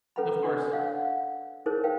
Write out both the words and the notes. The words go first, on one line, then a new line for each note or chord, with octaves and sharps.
Of course.
C#4 A4 B4 F#5 A#5 B5
D4 D5 D#5
C#5 F5 F#5
F#5
D#4 E4 G#4 A#4 C5 C#5
B4 F5 G5